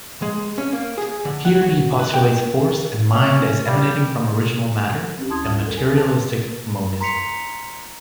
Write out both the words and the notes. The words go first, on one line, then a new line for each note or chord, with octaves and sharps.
Here he postulates force and mind as emanating from original matter, a materialistic monism.
G#3
C#4
A#3
G#4
D3
F#5
F#4
B4
G5
C#4
G3
C4 C#4 G4
D2 E4 A5 C6 D#6 G#6
G3 F4
D4 A4 A#4
G#5
D3 D#3 B4 A5 F#6
A#5 C6 B6 C#7 F7